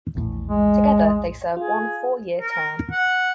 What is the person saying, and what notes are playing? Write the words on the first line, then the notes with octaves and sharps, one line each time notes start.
Together, they serve one four-year term.
A#1 E2 A2
G#3
F4 G#4
A#4
F#5